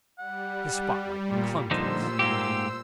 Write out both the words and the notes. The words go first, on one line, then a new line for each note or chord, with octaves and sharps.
His spotlight clung to us.
G3 F#5
A#2
A#2 D3 F3 D#4 C5 E6
G#2 A#3 G4 C5